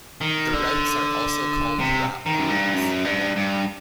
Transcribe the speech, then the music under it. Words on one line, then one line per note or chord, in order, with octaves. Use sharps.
The routes are also called ratlines.
D#3
D3
C3
D#3
F#2
G2
F#2
G2
G2